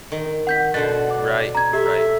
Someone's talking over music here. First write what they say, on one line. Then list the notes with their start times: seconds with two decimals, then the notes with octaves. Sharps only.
Right, right.
0.12 D#3
0.47 F#5 G6 B6
0.74 B2 D3 C5 F#5 A6
1.10 D5
1.55 A#5 G#6
1.73 G4 A4 E5